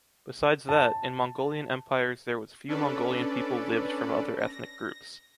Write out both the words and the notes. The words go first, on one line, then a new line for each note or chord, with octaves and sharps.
Besides that, in Mongolian empires there was few Mongolian people lived from other ethnic groups.
A5
C#4 D4 A4 B4 D5
A#6